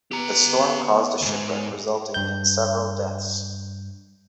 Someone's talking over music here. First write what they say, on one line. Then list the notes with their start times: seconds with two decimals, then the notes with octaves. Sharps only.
The storm caused a shipwreck resulting in several deaths.
0.12 B3 G4 A#5
1.22 D2 G#2
2.14 G2 G6